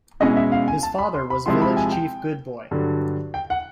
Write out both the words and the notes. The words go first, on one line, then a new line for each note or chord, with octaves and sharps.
His father was village chief Good Boy.
B2 G#3 C#4 E4 D#5
E5
F5
G#5
A5
B5
C6
B5
C3 F3 G#3 C4 E4 C6
B5
G#5
G5
G2 D3 F#3
G5
F#5